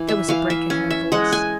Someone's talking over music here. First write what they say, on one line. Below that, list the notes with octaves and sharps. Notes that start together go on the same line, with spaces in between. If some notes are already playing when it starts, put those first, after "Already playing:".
There was a break in her voice.
Already playing: E3
E5
E3 F5
E5
C#4
E5
G#3 F#5
G#5